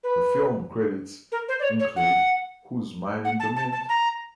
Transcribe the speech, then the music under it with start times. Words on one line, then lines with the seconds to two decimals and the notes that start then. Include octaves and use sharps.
Her film credits include Who's Minding the Mint?
0.04 B4
1.32 A#4
1.48 C5
1.60 D5
1.63 C#5
1.80 C#5
1.96 F#5
3.25 F#5
3.40 A5
3.56 A5
3.72 A5
3.89 A#5